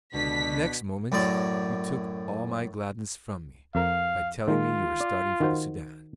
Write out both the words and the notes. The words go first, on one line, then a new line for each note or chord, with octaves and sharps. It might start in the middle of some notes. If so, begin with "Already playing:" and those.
The next moment you took all my gladness from me by telling me you were starting for the Soudan.
C#2 B2 D3 D4 B6
F#2 A2 D5
F2 A#4 F5
D#3 G#3 F4
D5
D#3 F#4 C5